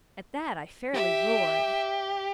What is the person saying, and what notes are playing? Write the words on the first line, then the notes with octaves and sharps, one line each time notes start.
At that I fairly roared.
G4 E5